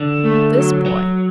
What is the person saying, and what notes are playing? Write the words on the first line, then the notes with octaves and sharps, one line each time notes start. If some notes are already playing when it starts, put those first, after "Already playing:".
But this boy....
Already playing: D3
A3
F#3
F#3